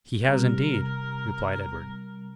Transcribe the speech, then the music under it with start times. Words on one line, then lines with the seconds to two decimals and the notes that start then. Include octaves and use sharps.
"He has, indeed," replied Edward.
0.25 C3 G3 A#4